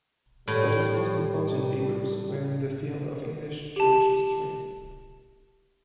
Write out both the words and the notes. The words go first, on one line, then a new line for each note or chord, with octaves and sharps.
But his most important labours were in the field of English church history.
A2 G3
G4 A5